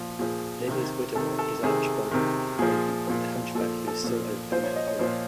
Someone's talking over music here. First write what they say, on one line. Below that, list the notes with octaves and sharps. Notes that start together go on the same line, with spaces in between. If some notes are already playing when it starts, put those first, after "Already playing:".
Lily's widower is Archibald Craven, a hunchback who is still overcome by grief.
Already playing: A#2 F3
A#2 F3 G#4
C3 D#3
C3 D#3 A4
A4
C3 D#3 G#4
C3 D#3
A#2 F3 G#4
A#2 F3
A#2 F3 A4
A4
A#2 F3
A#2 F3 C5
C#5
D#5
C#5
A#2 F3 C5